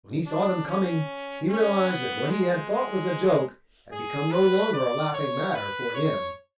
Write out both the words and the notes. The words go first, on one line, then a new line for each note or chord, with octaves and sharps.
When he saw them coming, he realized that what he had thought was a joke had become no longer a laughing matter for him.
D4
C#4
C#4
B3
G#3
G#3
G#4
B4
D5
C#5
B4
C#5